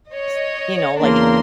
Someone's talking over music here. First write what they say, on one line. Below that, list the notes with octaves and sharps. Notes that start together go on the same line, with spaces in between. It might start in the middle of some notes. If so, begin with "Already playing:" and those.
t you know, like
C#5 D#5
E2 C#3 A#3 D4 A#5 C6